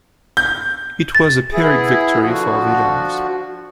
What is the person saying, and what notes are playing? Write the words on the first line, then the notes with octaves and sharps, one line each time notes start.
It was a Pyrrhic victory for Villars.
G6
A6
B3 E4 G#4
D3 F3 F#4